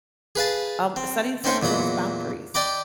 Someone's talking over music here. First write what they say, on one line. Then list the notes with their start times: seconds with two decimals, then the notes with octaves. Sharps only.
Um, setting some of those boundaries
0.36 G#4 B4 F5 A5
0.96 C4
1.44 C4 C#4 D#4 C5 C#5
1.62 E2 A#2 F#3 A#5 B5
2.54 D5 D#5 G5 A#5 B5 D6